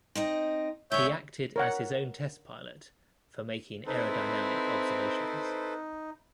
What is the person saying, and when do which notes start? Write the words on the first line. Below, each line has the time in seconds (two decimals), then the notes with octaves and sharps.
He acted as his own test pilot for making aerodynamic observations.
0.15 C4 D#4 D#5
0.92 D2 C#3 C#5 E5 G6
1.56 A#4 C#5 F#5
3.87 C4 D#4 E4 A4 B4 C5